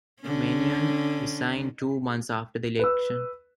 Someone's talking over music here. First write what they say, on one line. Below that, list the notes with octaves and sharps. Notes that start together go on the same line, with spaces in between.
Manion resigned two months after the election.
D3 C#4
B4 E6